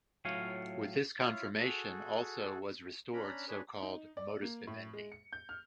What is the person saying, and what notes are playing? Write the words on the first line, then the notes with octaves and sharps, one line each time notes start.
With this confirmation also was restored so called "modus vivendi".
A2 F#3 F4 C#5 F5 G#5
E4 F4 C#5 F5
F#4 G#4 A4
C#4 D4 A#5 B5
D4 G#4 B4 C#5
D#4
D5
A#3
A2
G#3
C#7
G6
F6